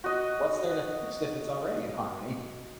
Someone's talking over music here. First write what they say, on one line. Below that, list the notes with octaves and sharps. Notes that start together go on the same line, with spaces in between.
What's there to fix, if it's already in harmony?
F#4 D#5